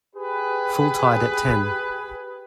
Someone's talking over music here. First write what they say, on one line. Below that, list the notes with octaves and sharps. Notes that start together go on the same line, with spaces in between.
Full tide at ten.
G4 G#4 B4